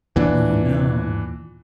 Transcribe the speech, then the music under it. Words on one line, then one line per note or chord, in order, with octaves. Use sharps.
Oh no.
D#2 A#2 E3 B3 D4